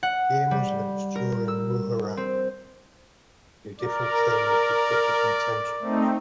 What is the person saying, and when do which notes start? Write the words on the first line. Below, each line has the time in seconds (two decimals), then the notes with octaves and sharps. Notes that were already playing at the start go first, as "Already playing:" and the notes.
Shia Muslims during Muharram do different things and with different intentions.
0.03 F#5
0.51 G3
1.16 A#4
1.48 E6
2.17 C4
3.80 A#4 D5
5.80 A3 C4 D#4